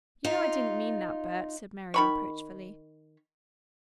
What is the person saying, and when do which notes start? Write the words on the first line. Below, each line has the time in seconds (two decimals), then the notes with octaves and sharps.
"You know I didn't mean that, Bert," said Mary reproachfully.
0.24 D#4 F4
1.94 D#3 B5 C#6